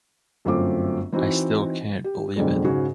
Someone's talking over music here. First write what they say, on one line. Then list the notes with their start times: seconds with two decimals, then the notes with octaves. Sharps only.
I still can't believe it.
0.45 G1 F#2 A3 C4 F4 D6
1.12 E3 C4 D#4 F#4
2.04 G4
2.36 F2 B2 D3 F#3 G#3
2.64 G#2 C#3 F#4 G#4